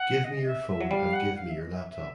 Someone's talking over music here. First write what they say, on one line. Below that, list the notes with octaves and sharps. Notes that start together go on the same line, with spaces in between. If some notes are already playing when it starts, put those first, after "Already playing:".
Give me your phone and give me your laptop.
Already playing: F#5
D#5
E5
E5
F#3
G3 F5
F#5
F5
E5
D#5
E5
E5